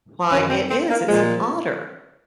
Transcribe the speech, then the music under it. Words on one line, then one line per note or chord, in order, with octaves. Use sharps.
why it is, it's an otter."
F#2 D#3 C#4
C4
C4
A#3
A#2 F3 G#3